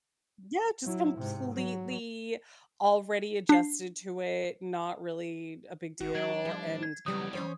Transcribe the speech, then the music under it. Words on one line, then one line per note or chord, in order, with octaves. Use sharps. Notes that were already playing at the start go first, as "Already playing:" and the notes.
Yeah, just completely already adjusted to it, not really a big deal, and,
F#3 E4
G#2 C3
F#3
D4 C7
G#1 F#4
F#3 D4 G#6
A2 F3 G3
G#6
F2 C#3 E3 F#3 G3 B3 D#6
G3 C#4 C5 C#5